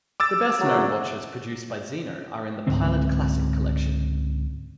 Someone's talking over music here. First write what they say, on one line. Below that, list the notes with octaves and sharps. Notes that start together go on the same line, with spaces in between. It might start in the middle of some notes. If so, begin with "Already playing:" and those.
The best known watches produced by Zeno are in the "Pilot Classic" collection.
D6 E6 A6
E2 F#3 A3
C#2 G#2 D3 C4